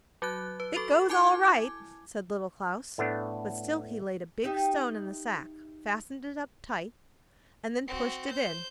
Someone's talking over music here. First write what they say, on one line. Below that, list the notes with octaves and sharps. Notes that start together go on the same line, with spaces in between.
'It goes all right!' said Little Klaus; but still he laid a big stone in the sack, fastened it up tight, and then pushed it in.
F#3 F#4 F#6
B4
F#4 A4 C#6
E4 G#5 A5 D6 G#6
A2 A3 B3 D4
D#4 G4 E5
C4 F#4
C5 G6